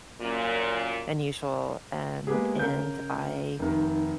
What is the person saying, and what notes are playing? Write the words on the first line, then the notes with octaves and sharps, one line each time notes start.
unusual. And and I
F#2 A#2
G#3 A#3 B3 G4 G#4
C#3 A#4 G6
F1 D#3